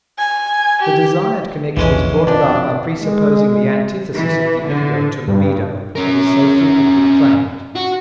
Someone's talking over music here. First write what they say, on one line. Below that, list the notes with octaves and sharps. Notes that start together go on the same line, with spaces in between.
The desired connection is brought about by presupposing the antithesis of the ego to libido that is so frequently claimed.
G#5
G4
A#1 E2 E3 G#3 C#4
F2 B2 D4
G#3
E3
D3
G2
C#4 A#4
F#4